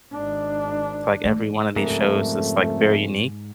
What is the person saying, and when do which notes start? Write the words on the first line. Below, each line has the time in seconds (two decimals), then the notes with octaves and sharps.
to, like, every one of these shows is, like, very unique.
0.12 G#1 D4
1.23 E3 A3
1.76 F2 G#2 C#3 G3 A3 A#4